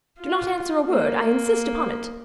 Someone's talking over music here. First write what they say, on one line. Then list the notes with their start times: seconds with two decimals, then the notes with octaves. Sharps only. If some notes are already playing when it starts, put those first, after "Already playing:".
Do not answer a word; I insist upon it.
0.20 F4
0.89 A#3